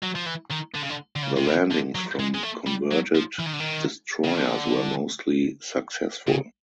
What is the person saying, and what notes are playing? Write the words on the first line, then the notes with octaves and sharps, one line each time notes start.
The landings from converted destroyers were mostly successful.
F#3
F3
E3
D#3
D3
C#3
D3
D3
C#3
C3
C#3
D3
F#3
G#3
G#3
A3
G3
F#3
F3
E3
D#3
D3
D#3
C#3
D3
C#3